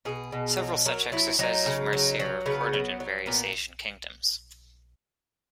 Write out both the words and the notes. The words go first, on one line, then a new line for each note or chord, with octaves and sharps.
Several such exercises of mercy are recorded in various Asian kingdoms.
B2 G#4
B2
F#3
F#3 A#4
F#3 E4
F#3 D#4
C#3
F#3
F#3
C#3 B3
F#3
F#3
A#2 B3